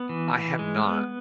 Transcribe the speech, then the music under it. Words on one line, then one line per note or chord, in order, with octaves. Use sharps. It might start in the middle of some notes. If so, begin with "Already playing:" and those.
I have not.
Already playing: B3
E3
E3
G#3
B3